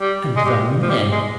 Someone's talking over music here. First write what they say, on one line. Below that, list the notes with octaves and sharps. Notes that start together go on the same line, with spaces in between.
And the men!
G3
G#3
G3
F3
G3
G#3